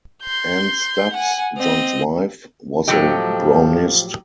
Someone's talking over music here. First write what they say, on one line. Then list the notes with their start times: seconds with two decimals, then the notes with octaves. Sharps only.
Anne Stubbs, John's wife, was a Brownist.
0.23 C6 G6
1.13 F#5 G#5
1.57 C4 D#5
2.88 A2 F3 F#3 G4 A4 D#5 G5